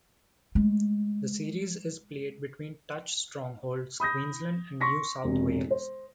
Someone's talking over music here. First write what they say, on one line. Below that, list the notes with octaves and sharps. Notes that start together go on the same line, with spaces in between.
The series is played between Touch strongholds Queensland and New South Wales.
G#3 A3
B5 D#6 G6 A#6
C6 C#6 A#6 B6
E1 C3
C5